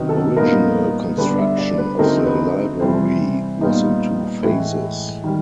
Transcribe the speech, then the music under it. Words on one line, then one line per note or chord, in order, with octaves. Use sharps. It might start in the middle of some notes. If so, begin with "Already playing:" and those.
Original construction of the library was in two phases.
Already playing: C3 D#3 F#3 B3 D#4
A4
A#2 G3 B3 D#4 A#4
D3 G3 B3 D4 B4
E5
D5
B4
D3 F#3 A3 C4 D#4 A#4
B4
B4
C3 E3 G3 C4 C5
A#2 G3 B3 D#4
A2 E3 G#3
D#3 G3